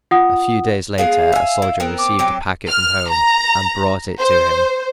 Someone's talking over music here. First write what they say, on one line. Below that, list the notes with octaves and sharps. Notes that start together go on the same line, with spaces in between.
A few days later a soldier received a packet from home and brought it to him.
F4 F#5 D#6
G#3 B3 G#4 F5
E5 G#5
E4
B3 C4 A#4
D6
F#3 C4 G4
F6
A#5
C5